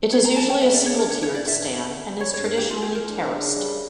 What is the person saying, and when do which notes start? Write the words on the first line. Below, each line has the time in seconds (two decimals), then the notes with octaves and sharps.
It is usually a single-tiered stand and is traditionally terraced.
0.12 F3 C#5
0.25 A#5
0.36 F3 A5
0.49 G5
0.61 C#3 E5
0.74 D5
0.86 D4 C#5
0.98 A#4
1.10 E3 C#5
1.22 C#5
1.35 G2 D5
1.48 E5
1.60 D4
1.85 D3
2.09 G3
2.20 C#5
2.33 G2 C#5
2.45 A#4
2.57 E3 G4
2.70 F4
2.82 E3 G4
2.95 A#4
3.07 D4
3.31 C#3
3.56 G3